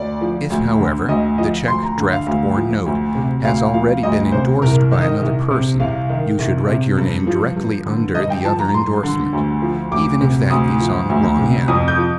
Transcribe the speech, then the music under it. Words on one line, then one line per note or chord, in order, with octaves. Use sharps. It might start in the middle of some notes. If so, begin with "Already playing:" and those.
If, however, the check, draft or note has already been indorsed by another person, you should write your name directly under the other indorsement, even if that is on the wrong end.
Already playing: D2 D5
F3
D2
D3
D2 D#5
F3 D#5
D2 C6
A#5
D3
F5
D2
F3
D2
C3
D2 F5
F3 F5
D2 D#5
C3 C5
C2 A#4
D#3
D#5
C2
C3
C2 F5
D#3
C2
C3
G2
F3
G2
D3
G2 D#5
G5
F3 A5
A#5
G2 C6
D3
D2
F3
D2 D6
C3
D2 D#6
F3
D2
C3
F2 D#6
G6
F3